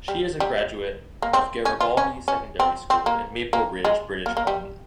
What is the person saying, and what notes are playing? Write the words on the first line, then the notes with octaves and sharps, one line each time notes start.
She is a graduate of Garibaldi Secondary School in Maple Ridge, British Columbia.
G3
G3
A#3
C4
C#4
F4
C#4
C#4
C4
C4
A#3
A#3
G#3
A#3
A#3
G3